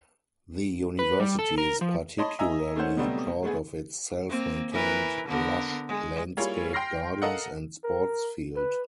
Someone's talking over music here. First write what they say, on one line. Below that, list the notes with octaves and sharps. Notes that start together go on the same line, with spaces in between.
The University is particularly proud of its self-maintained lush landscaped gardens and sports field.
B4
G3
A4
A#4
F3
C#5 D#5 A5 B5 C6
D#5 E5 G#5 A#5 E6
A3 A#3 C#4 D#4 C5 F#5
B2 F#3 G3 A3 B3 C4
G#3 A3 B3 G#4
A#3 C4
E3 A#4 B4
D3 B3 A#4
G#3
G3 A#3 E4 F4 G#4 C#5
G5 C6 F6 A#6 C7
A4 A#4 D#5 F5 F#5
A#4
B4